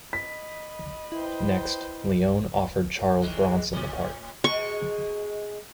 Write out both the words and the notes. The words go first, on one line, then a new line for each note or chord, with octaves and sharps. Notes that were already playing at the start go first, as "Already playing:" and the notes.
Next, Leone offered Charles Bronson the part.
D#5 B5 B6
E4 B4 C5 G5
D#3 E3 G#3
A2 C#4
B2 G#3 C#6